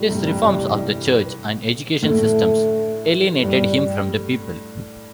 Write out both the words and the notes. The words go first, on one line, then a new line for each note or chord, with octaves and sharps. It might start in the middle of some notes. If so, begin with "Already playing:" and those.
His reforms of the church and education systems alienated him from the people.
Already playing: A2 G3
G2 C3
G2 C3
C3 E3
A2 D3 A3
G2 G3